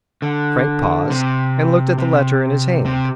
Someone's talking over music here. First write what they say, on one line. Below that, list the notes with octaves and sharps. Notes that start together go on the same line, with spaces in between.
Frank paused, and looked at the letter in his hand.
D3
C3
C3
C3